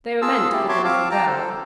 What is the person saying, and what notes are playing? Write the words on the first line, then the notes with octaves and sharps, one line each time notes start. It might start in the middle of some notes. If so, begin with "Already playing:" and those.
They were meant for the little girl.
F4 G#4 A5 E6
E4 G4
F#4 C#5 E5 A5 C6 D6
C4 F4 F5 A5 D6
G5 A5 A#5
A4 C5